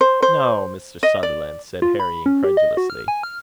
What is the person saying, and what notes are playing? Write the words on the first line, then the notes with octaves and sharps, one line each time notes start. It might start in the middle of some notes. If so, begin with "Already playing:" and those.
"No, Mr. Sutherland!" said Harry, incredulously.
C5
C5
D#5
D5
F4
B5
C#4
G4
D#5
F#4
F6
G#5
F6